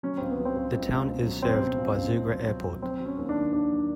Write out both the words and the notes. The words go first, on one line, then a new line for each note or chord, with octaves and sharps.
The town is served by Zougra Airport.
F#3 C#4
C#2 C4
B3
F#3
C4
C#2
C#2
C#2
B2
F#3
F#3 C4
B2
C#2
C#2
C#2
F#3
F#3
F#3
F#3 C4
F#3
C#4
D#2
D4
D#3
D#2 D4
F#3